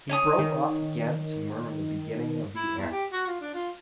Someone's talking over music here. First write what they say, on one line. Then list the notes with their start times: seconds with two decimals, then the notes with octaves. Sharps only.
He broke off again to murmur the beginning of the air.
0.09 C#5 G#5 D#6
0.39 D#3
2.55 E4
2.78 E2
2.91 G4
3.12 F#4
3.27 F4
3.41 D4
3.54 F4